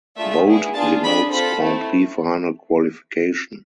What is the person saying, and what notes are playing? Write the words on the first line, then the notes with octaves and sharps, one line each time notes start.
Bold denotes Grand Prix Final qualification.
A3 D4 F4 G#4 E5
B3 E4 G#4
D4 F4 G#4 A5
D4 G#4 B5
C4 F4 A4 B5
A3 C4 E4